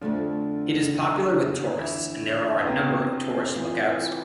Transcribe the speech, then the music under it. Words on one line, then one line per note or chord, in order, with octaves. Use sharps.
It is popular with tourists, and there are a number of tourist lookouts.
F2 D3 F3 A3 D4 F4
E3 E4
B3
C3 C4
E3 B3 F4